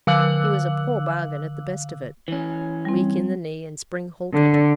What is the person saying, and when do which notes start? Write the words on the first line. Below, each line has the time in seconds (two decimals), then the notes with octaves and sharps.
He was a poor bargain at the best of it--weak in the knee and spring-halted.
0.07 D3 F5 D6 E6 F#6 F#7
2.28 E3 C#4
2.85 G3 C4
4.34 D3